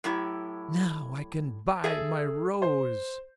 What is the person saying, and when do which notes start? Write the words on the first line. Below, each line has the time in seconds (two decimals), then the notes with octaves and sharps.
"Now I can buy my rose!"
0.04 A2 F#3 E4 G4
1.84 G#4 A4 E5
2.62 C5